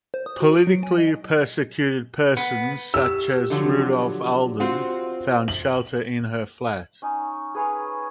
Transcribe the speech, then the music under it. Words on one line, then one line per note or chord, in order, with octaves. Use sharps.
Politically persecuted persons such as Rudolf Olden found shelter in her flat.
C5
D#6
F#4
D7
F#3
G#5
D#5
B3
G4 E6
D3 F3 F#3
C4 F4 F#4
F#7
C#4 D#4
G#4 B4 C#5 F5